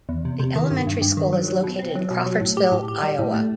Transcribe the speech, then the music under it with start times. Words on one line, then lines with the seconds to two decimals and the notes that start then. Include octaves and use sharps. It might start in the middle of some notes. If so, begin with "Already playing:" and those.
The elementary school is located in Crawfordsville, Iowa.
0.09 E2
0.25 C3
0.40 C3
0.56 D#3
0.71 G2
0.87 G2
1.02 G2
1.17 D#3
1.33 F#3
1.48 F#3
1.64 B2
1.79 C4
1.95 F#3
2.11 B2
2.26 F#3
2.41 A2
2.57 G4
2.72 A2
2.88 G4
3.03 G3
3.19 A2
3.34 A3